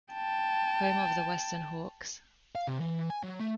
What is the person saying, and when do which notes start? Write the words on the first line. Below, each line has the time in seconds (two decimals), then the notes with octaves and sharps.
Home of the Weston Hawks.
0.14 G5 A5
2.55 F5
2.67 C3
2.80 E3
3.10 G#5
3.23 F#3
3.40 A3